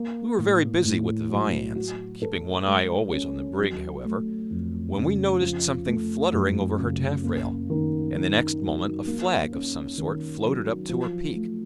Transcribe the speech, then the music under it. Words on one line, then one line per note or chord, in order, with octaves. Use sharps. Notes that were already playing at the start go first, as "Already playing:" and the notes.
We were very busy with the viands, keeping one eye always on the brig however, when we noticed something fluttering over her taffrail; and the next moment a flag of some sort floated up to her peak.
Already playing: A#3
A2
A2
F#3
F#4
A4
G#3
C#4
F#3
A3
F2
C#3
F3
A3
F#2
C#3
A#3
D#3
D#3
F#3
A#3
C#4
D#3
F#3
F3
A3